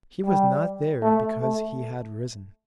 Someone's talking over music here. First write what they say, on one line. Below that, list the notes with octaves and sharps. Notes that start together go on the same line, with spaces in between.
He was not there because he had risen.
G3
A3
A3